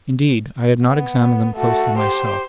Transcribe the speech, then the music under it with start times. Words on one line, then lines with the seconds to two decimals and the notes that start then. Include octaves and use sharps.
Indeed, I had not examined them closely myself.
0.84 B3
1.56 A3 F#4
1.98 G4 C5